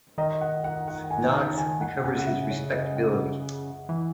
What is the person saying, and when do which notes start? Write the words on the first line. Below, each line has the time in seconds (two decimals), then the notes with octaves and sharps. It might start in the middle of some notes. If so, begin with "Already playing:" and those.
Noggs recovers his respectability.
0.18 D#3 D#5
0.41 F#5
0.64 F#5
0.88 F#5
1.11 G#5
1.34 A5
1.58 G#5
1.81 F#5
2.03 C#3 F#5
2.19 F#5
2.26 E5
2.50 C#5
2.73 D#5
2.96 F#5
3.89 E3